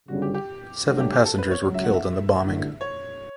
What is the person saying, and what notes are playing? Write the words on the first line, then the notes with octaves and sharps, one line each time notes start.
Seven passengers were killed in the bombing.
G1 F#2 C#3 G3 F#4
G4
G4
G1 G2 F#3 A3 D4 F#4
G4
G4
A4
B4
C#5
C#2 C#3 F#3
E5
F#5
E5
A1 G2 D3 A3
C#5